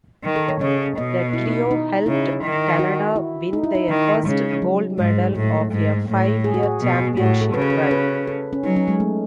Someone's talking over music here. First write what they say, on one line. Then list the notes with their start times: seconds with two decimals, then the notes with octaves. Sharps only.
The trio helped Canada win their first gold medal of a five-year championship run.
0.24 D#3
0.36 A4
0.48 C#5
0.61 C#3 D#5
0.98 B2 D#5
1.33 E4
1.46 D#4
1.71 D#4
2.06 C#3 E4
2.43 D#3
2.79 F#4
3.16 E4
3.53 D#4
3.64 E4
3.75 D#4
3.89 D#3
4.26 C#3 G#3
4.62 F#3
4.98 G#2 G#3
5.35 A2 A3
5.72 G#2
6.09 A2
6.44 G#4
6.54 F#4
6.63 G#4
6.81 B2
7.17 A2 F#4
7.41 A4
7.54 C#3 B4
7.62 C#5
7.70 B4
7.91 B4
8.27 A4
8.53 C#4
8.64 F#3 D#4
8.76 C#4
8.88 G#3
9.00 A3